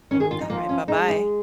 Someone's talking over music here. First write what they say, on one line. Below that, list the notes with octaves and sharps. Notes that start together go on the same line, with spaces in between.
Alright. Bye-bye.
D#3 C#4
G#4
F4
D#4
F3 A#3
C#4
G#3 D#4
D#4